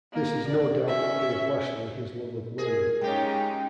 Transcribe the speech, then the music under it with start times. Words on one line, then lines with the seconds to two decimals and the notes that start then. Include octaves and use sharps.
This is no doubt what gave Lashley his love of learning.
0.12 A#3
0.47 D5
0.88 C#4 E5
2.58 G#4 A#4
3.01 A#2 G#3 C#4 D#4 G4 G5